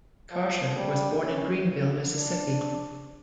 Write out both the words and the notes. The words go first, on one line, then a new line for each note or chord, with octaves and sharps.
Carter was born in Greenville, Mississippi.
F3
G3
C#4
D4